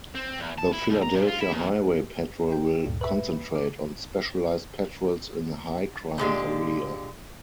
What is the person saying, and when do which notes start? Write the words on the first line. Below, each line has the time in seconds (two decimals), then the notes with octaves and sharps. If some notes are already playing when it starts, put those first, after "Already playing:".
The Philadelphia Highway Patrol will concentrate on specialized patrols in high-crime area.
0.15 C4
0.40 E2
0.59 A5
0.73 E4
0.89 C2
1.02 A#5
1.15 A#2
1.27 F4
1.41 E4
1.53 E2
2.52 G5
2.86 D2 G2 A#2
3.01 B4 E5 B5
3.55 D6
6.18 A#2 D3 G#3 G4